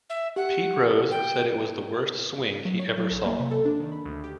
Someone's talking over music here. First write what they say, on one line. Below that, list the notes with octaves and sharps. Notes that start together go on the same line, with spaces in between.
Pete Rose said it was the worst swing he ever saw.
E5
G4 F#5
G5
F#3
C#5
F#3
A#1
A#3
C3
A4
D4
D#3
B5
D2
G4